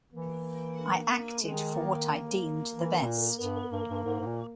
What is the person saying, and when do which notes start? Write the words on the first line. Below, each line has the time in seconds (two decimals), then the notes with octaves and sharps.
I acted for what I deemed the best.
0.13 E3 A#3
1.43 D#3 G#3
1.76 A#3
2.74 E3
3.02 B2
3.06 A#2
3.39 G2 B3
3.72 G2 A#3
3.90 G2
4.04 G#2
4.21 G#2
4.27 A#2